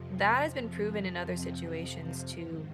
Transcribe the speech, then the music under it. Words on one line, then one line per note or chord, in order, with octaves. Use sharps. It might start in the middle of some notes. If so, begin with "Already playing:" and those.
that has been proven in other situations to
Already playing: F2 C3 F3
F4
G#4
D#5
D#5
D#5
G#2 D#3 C5